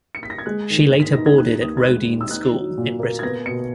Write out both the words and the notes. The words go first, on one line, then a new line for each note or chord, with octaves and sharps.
She later boarded at Roedean School in Britain.
C#7
B6
A#6
G#6
G#3 F#6
D#3
G#2
B6
D#4 A#6
G#6
D#2 F#6
D#2 D#6
G#6
G#3 F#6
D#2
E6
D#4 F#6
F#3
A#2
A#3
G#6
B3 A#6
B2 C#7